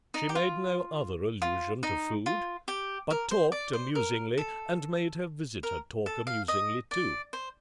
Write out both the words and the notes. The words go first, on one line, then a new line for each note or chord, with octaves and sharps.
She made no other allusion to food, but talked amusingly and made her visitor talk amusingly too.
D#4
G4
F4
F4
D#4
F4
G4
A#4
C5
D5
C5
A#4
A4
A#4
A4
F5
D#5
D5
C5